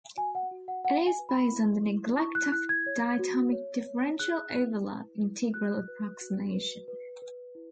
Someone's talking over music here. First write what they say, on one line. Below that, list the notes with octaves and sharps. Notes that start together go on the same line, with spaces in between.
It is based on the Neglect of Diatomic Differential Overlap integral approximation.
F#4 G#5
F#5
F#4
F#5
F#4 F#5
G#5
B4
B5
E4
E4
E4 C#6
F#6
E4 F#6
G#6
C#5
F#4
C#5
C#5
G#4 F#6
E4
B4
E4
F#4 F#6
B4
F#4
B4
B4
B4
E4